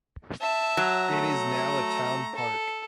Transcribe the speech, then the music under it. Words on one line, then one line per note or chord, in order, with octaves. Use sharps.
It is now a town park.
E5 A5
F#3 A#5
A3
A4